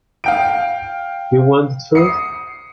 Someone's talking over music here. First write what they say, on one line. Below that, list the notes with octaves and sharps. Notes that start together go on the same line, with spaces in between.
You want the truth?
F5 G5 D7
D#6 C7 C#7